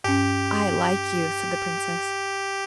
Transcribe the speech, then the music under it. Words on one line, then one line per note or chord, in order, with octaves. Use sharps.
'I like you!' said the Princess.
G2 C#4 G4